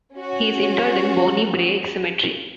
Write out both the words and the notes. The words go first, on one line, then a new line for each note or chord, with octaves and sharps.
He is interred in Bonnie Brae Cemetery.
C#4 F#4